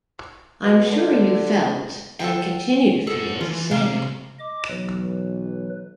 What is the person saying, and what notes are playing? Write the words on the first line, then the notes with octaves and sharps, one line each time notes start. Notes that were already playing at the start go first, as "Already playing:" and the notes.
I'm sure you felt and continue to feel the same.
B2
D3
A4 F#5 G5
G#4 A4 F#5
E3 F4
C3 G3 A#3 F5
D#5 D6
B1 E3 F#3 B4